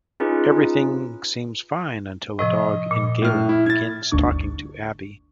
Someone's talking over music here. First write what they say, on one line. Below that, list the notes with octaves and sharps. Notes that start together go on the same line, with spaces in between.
Everything seems fine until a dog in Galen begins talking to Abbey.
C#4 D#4 F4 G#4 B4
A2 C3 F3 D#5
A#2
A2 F6
E4
G#6 A6
G1 D2 D3 D4 C#6